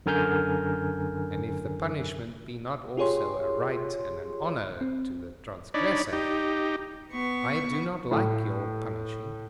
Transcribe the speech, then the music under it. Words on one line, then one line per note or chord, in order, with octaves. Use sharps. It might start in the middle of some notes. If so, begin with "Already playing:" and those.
And if the punishment be not also a right and an honour to the transgressor, I do not like your punishing.
F#2 D3 A#4 G#5 F6 G6
F4 G4 G#4 C#5 C6
C4
D4 D#4 C#5 D5 B5
D#4 G4
B3 C#6
A2